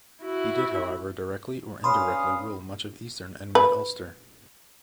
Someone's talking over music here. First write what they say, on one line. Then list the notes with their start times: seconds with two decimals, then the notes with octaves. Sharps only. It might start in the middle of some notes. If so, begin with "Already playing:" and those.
He did however directly or indirectly rule much of eastern and mid-Ulster.
0.23 E4 F#4
1.84 G2 C#4 F5 B5 C6 D#6
3.55 B4